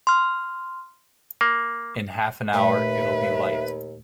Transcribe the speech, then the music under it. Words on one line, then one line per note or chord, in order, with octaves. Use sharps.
In half an hour it'll be light.
C6 F6
A#3
D#2 A#2 A3 B4 E5